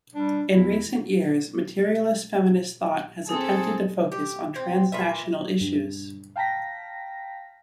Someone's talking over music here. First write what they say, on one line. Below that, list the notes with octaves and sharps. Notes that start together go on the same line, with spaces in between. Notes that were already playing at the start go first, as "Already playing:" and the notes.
In recent years materialist feminist thought has attempted to focus on transnational issues.
G3 D4
E2 E4
C4 D#4 G#4 A4
G4
C4
A#2 B4 E5
G2
F5 G5 A5 A#5 A#6 B6